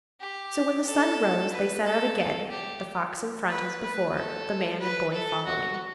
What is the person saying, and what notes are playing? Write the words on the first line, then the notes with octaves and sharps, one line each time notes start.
So when the sun rose they set out again, the fox in front as before, the man and boy following.
G4
A4
B4
A4
A4
G4
B4
B4
A4
B4
A4
F#4